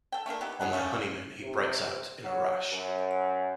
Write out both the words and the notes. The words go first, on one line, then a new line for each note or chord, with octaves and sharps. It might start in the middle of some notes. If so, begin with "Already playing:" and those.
On their honeymoon, he breaks out in a rash.
A4 G5
A3 A#3 D4 A#4
B3 D#4 E4 G4
C#4 F4 D#5 F#5
A3 C#4 A#4 F5
C3
F#3
F#2